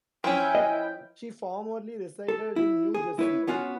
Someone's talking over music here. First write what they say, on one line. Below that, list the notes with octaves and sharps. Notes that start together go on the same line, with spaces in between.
She formerly resided in New Jersey.
F3 C#4 E4 B4 G5 G#5
D#5
A4
E4
G#4
E4 B4 C#5
B3 C#4 F4 F#4